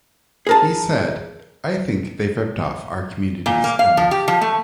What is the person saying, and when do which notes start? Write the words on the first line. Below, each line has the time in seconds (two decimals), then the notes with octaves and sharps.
He said: I think they've ripped off our communities enough.
0.47 G#4 A#4 A5
3.46 A#2
3.64 A#3
3.79 F5
3.97 F3
4.11 G4
4.28 F3
4.41 A3